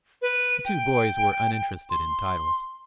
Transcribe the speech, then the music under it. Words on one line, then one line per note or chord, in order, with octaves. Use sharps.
The two boys were uninterested in titles.
B4
G5
C6